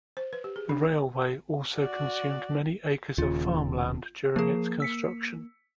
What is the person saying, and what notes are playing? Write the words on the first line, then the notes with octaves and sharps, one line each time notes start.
The railway also consumed many acres of farm land during its construction.
C5
B4
G4
G#4
D4
F#4 D5
D#1 D#2 C#3 F4
F3 A#3 G#4
E6 B6 C#7